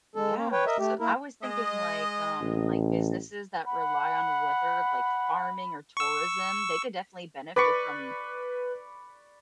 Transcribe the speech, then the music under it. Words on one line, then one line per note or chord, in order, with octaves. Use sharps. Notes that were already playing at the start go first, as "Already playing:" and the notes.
Yeah, so I was thinking, like, um, like, businesses that rely on weather, like, farming or tourism, they could definitely benefit from
G#3 A4
A#3
B4 C#5 G5
A#4 D#5 E5
A3 G4
A#3 E4 A#4
G#3 D#5
A1
F#5 B5
C#6 E6
B4 D5 B5 C#6